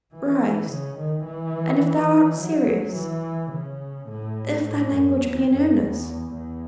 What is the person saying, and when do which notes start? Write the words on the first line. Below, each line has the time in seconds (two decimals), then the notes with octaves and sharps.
'Rise! and if thou art serious, if thy language be in earnest...'
0.14 E3
0.70 C#3
0.98 D#3
1.26 E3
2.40 F#3
2.96 E3
3.52 C#3
4.09 A2
4.64 A2
4.92 F#2
5.21 E2
5.49 F#2
5.77 E2
6.33 E2